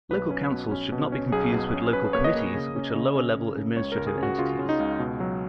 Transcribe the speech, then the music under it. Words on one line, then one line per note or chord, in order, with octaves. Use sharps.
Local councils should not be confused with local committees, which are lower-level administrative entities.
B1 B4
C#4
B2
C#4
B2
C#4
B1 G#4
B2
C#4
C#4 B4
A#3 C#5
D#5
A#3
C#3
C#4
C#3
C#4
C#3
C#4
C#2 C#5
A#4
C#2
G#4
C#4 F#4
C#3 F4
C#3
D#4
C#2
B2
F#3